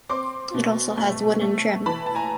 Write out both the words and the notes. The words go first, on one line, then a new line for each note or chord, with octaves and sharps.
It also has wooden trim.
C4 C6 D6
B2
A3
A3
E3 A5 B5
A5
G#5 A#5